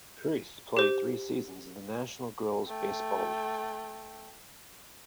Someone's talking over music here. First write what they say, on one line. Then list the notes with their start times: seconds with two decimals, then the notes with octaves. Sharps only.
Kurys played three seasons in the National Girls Baseball League.
0.77 G4 C5
2.67 A3 G5